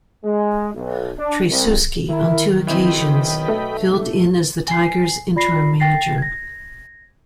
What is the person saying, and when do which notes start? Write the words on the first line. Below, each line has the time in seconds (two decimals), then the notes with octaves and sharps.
Tracewski, on two occasions, filled in as the Tigers' interim manager.
0.24 G#3
0.74 B1
1.18 D4
1.49 C2
2.09 D#3 E4 A#4
2.67 B1 E3 C4 D#5 G5 B5
3.48 A3
4.68 G#5 C7
5.36 F4 D5 B5 A#6 C7
5.80 G5 A6 A#6 C7
6.18 G#6 A#6